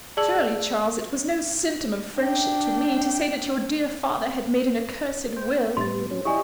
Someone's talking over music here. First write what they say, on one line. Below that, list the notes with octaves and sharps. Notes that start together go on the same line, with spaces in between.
"Surely, Charles, it was no symptom of friendship to me, to say that your dear father had made an accursed will!"
G#4 D5 A5 E6 F#7
D4 G5
C5 G5
A2 G3 B3 C6 A6
F#3 C#4
E4 G4 D5 D#5 G#5 C#6